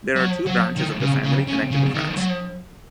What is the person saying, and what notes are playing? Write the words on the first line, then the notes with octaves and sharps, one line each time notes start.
There are two branches of the family connected to France.
F#3
F#3
D#3
C#3
C#3
C#3
C#3
D#3
F#3